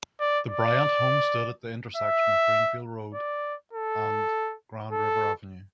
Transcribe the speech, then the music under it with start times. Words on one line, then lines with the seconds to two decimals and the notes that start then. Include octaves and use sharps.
The Bryant home stood at the intersection of Greenfield Road and Grand River Avenue.
0.20 D5
0.49 D5
1.97 E5
3.14 D5
3.73 A4
4.91 A4